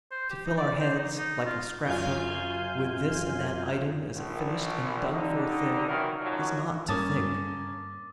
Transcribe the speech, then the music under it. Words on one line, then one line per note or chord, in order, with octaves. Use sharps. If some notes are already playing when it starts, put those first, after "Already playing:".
To fill our heads, like a scrapbook, with this and that item as a finished and done-for thing, is not to think.
C5
G4
D#4
D5
C5
D#4
D#4
F4
F#2 F4 F5 G#5 G6
A#1
D3 G3 D#4
D#3 E3 F#3 A#4
F#2 F3 F#3 D#4
G2 A#3 C#4 A5 D6 D#6 A6